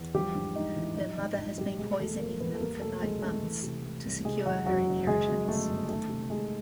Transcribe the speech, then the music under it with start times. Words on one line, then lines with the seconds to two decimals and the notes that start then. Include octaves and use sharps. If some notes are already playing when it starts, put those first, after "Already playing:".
Their mother has been poisoning them for nine months to secure her inheritance.
Already playing: E2
0.14 F3 G3 G4
0.35 G#2 D4
0.55 G#3 D#4
0.76 A1 E3 E4
0.96 F3 D#4
1.17 G#2 D#4
1.38 A#1 D#4
1.58 A#1 G3 G4
1.79 B2 G#3 G#4
1.99 E2 A3 A4
2.19 E1 A#3 A#4
2.40 E1 B3 B4
2.55 A4
2.61 G3 A#3 A#4
2.81 B2 A3 A4
3.02 C2 G#3 G#4
3.22 C2 A3 A4
3.43 E3
3.63 C3
3.84 A3
4.05 C2
4.25 C3 G#3 G#4
4.45 E2 F#3 F#4
4.66 F#1 F#3 F#4
4.87 F#1
5.07 C#3 G#3 G#4
5.28 F#2
5.47 G1 A3 A4
5.69 G1
5.89 D#3 A3 A4
6.09 C3
6.30 G3 G#3 G#4